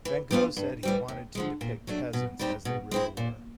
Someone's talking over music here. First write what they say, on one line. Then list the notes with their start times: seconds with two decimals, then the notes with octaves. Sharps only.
Van Gogh said he wanted to depict peasants as they really were.
0.05 E3
0.31 G3 B3 D4 F4
0.57 G2
0.83 E3 G3 C4
1.08 D#2
1.35 D3 F3 G#3
1.61 A#2
1.87 F#3 A3 D4
2.13 B2
2.39 G3 C4 D#4 G4
2.65 B2
2.91 G#3 C4 E4
3.17 A#2